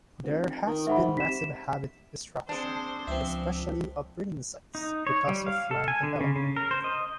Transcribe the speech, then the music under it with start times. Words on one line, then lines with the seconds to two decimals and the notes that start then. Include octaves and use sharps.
There has been massive habit destruction, especially of breeding sites, because of land development.
0.23 F1
0.67 D#3
0.87 G#2 E5 F#5 B5
1.18 C3 B6 E7
2.49 G#3 C4 D4 C5
3.08 C#2 F3 C4 E5
4.75 D#4
5.07 C#5
5.28 G3
5.46 F5
5.71 A4
5.88 G#5
6.03 D3
6.21 C#3
6.36 C#3
6.56 A#4
6.71 C5
6.84 D#5